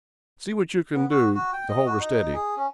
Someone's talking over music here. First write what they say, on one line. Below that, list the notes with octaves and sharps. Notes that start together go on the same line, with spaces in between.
See what you can do to hold her steady.
B3
F#4
F#4
G5
D#5
F#4
D#4
G#4
C#4